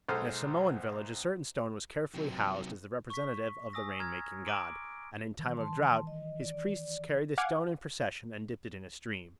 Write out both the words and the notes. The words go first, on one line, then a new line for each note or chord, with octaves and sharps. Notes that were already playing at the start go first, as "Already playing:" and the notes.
In a Samoan village a certain stone was carefully housed as the representative of the rain-making god, and in time of drought his priests carried the stone in procession and dipped it in a stream.
B1 G#3 A4 C5 D#6 F6
C3 F#3
C#6 B6
G#5 D#6 E6 A#6
A#5 F6 G#6
A#5 C6 D6 E6 D7
D#3 E3 G3
A5 C6
D#5
D5
F5 F#5 G#5 D6 F6 G#6